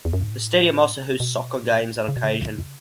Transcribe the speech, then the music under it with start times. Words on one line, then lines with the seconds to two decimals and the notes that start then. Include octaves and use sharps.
The stadium also hosts soccer games on occasion.
0.05 E2
0.13 F#2
0.23 G#2
0.31 A2
1.20 B2
2.08 C#3
2.16 B2
2.24 C#3